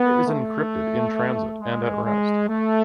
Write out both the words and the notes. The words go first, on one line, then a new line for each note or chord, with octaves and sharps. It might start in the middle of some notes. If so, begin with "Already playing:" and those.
Data is encrypted in transit and at rest.
Already playing: B3
A3
G#3
G#3
A3